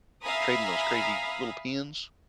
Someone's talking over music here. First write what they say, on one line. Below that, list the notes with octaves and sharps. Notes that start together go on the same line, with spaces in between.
trading those crazy little pins.
E5 F5 G#5 A#5 B5 D#6